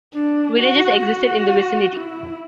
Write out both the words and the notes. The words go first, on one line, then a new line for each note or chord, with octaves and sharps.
Villages existed in the vicinity.
D4
F#4
F#4
E4